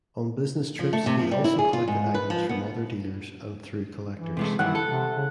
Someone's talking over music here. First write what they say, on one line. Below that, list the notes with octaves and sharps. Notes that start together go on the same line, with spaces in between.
On business trips he also collected items from other dealers and through collectors.
F3
A3
C3
F3
G3
E4
G#4
F4
G#2
B4
F3
B3
E3
C3 G#3 A3
G2 D#3 E3 E4 F#5
A4
C3
C#3